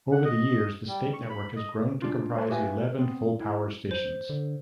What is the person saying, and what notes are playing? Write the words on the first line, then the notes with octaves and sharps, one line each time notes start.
Over the years, the state network has grown to comprise eleven full-power stations.
F#5
D#5
G3
C#6
B5
D#5
G#3 D4 F4
C5 C#5 G#5 A5
F#4 G4 B4 E5 F5 G#5
B3 C4
E4
C5
D3